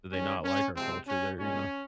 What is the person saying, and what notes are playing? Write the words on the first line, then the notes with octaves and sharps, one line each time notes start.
do they not like our culture there, you know?
G2 D#3 G#3 C#4
C#4
C3 F3 G#3 C4
C#4
A#2 G#3 C#4